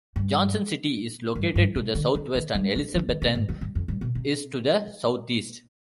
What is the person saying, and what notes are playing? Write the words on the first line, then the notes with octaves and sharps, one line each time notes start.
Johnson City is located to the southwest, and Elizabethton is to the southeast.
G2
G2
G2
C3
D3
D#3
D#3
G3
F3
F3
D#3
C3
G#2
F2
G2
F2
G2
B2
C3